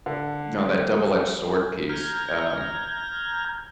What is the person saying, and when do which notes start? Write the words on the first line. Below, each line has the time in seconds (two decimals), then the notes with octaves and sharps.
you know, on that double-edged sword piece, um
0.06 D3
1.90 A#5 F6 G6 G#6